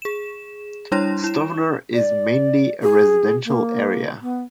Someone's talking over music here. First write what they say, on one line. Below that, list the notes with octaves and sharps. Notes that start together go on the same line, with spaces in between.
Stovner is mainly a residential area.
G#4 E7
G3 D4 E4 C#5 C6 A#6
E4 E7
D5
G#4
A#3
B3